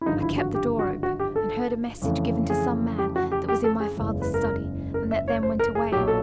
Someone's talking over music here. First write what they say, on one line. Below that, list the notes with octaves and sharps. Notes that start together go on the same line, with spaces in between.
I kept the door open, and heard a message given to some man that was in my father's study, and that then went away.
E4
G#1 G2 D3 F3 D#4
E4
F#4
G4
F#4
F#4
G4
A4
F2 C#3 E3 A3
G#4
G4
F#4
G4
G4
A4
G#4
F#1 E2 C#3 E3 G#3
B4
A#4
A#4
E5
C#5
C5
A#4
G#4
B1 A#2 F#3 G4
A4